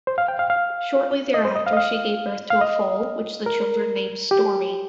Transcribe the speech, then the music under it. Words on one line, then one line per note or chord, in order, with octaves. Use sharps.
Shortly thereafter, she gave birth to a foal, which the children named Stormy.
C5
F5
G5
F5
F5
D#5
C5
D#5
F5
D#5
F5
F5
D#5
A#4
G4